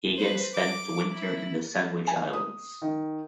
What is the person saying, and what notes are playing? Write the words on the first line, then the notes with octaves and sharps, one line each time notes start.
He again spent the winter in the Sandwich Islands.
B4 C5
D6
E4
G#5
D#6
D#3